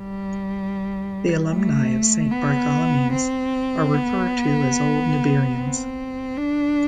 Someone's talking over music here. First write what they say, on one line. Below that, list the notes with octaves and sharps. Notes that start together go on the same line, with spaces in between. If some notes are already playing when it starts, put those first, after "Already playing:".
The alumni of Saint Bartholomew's are referred to as "Old Newburians".
Already playing: G3
A3
B3
C4
B3
C4
D4